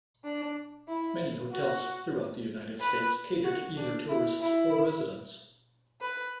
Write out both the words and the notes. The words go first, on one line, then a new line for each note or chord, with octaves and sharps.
Many hotels throughout the United States cater to either tourists or residents.
D4
E4
F#4
B4
F#4
D4
E4
E4
B4